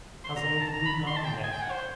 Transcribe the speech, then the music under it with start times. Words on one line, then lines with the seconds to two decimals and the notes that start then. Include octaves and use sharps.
"Has old Bougon left?"
0.24 C6
0.36 A#5
0.48 A#5
0.61 A5
0.73 A#5
0.85 B5
1.07 C6
1.16 A5
1.25 G5
1.44 G#5
1.53 G5
1.62 F#5
1.71 C5